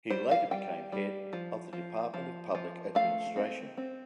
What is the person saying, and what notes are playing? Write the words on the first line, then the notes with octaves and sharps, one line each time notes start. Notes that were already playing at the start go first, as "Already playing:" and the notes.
He later became Head of the Department of Public Administration.
G3 C5
F5
G3 G5
G3
F3
F3
F3
F3
A3 F5
C4
C4